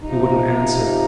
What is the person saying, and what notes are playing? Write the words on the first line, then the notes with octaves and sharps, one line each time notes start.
He wouldn't answer.
C3 F3 D#4